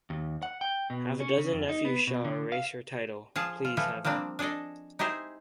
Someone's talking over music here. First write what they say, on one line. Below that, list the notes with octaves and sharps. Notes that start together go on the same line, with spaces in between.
Half a dozen nephews shall erase her title, please heaven!
D#2
F#5
G5
B2
C#4
C#3
F2
D#4
B3
B2
D3
F5
F3 G#4 F5 A5
F4
E3 F3 A3 E4 F4 A4
F3 G3 A#3 C4 D4
D4 G#4 A4 D5 D#5
D#4 E4 G4 G#4 C5